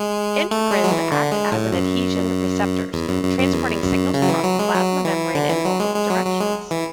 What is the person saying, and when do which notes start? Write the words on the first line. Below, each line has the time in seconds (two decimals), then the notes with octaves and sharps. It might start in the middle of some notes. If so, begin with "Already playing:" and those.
Integrins act as adhesion receptors, transporting signals across the plasma membrane in multiple directions.
Already playing: G#3
0.51 A3
0.71 G#3
0.84 F#3
0.91 E3
1.12 D3
1.32 G#3
1.52 A2
1.72 F#2
2.93 E2
3.08 F#2
3.23 F#2
3.38 F#2
3.53 E2
3.83 F#2
4.14 C#3
4.22 F#3
4.29 E3
4.44 F#3
4.59 G#3
4.74 F#3
5.05 E3
5.35 D3
5.50 E3
5.65 F#3
5.80 G#3
5.95 G#3
6.10 F#3
6.26 F#3
6.40 G#3
6.71 E3